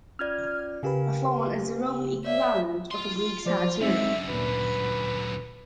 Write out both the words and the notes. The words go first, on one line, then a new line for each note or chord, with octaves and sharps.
A Faun is the Roman equivalent of a Greek Satyr.
C#4 F4 D5 F6 G#6
C#3 G4 A#4 B4 F5 G#5
C#5 D5 E5 F5
F4 C6
F3 C5 D5
F#2 D3 G#3 C4 D#4 E5
D2 A#2 B4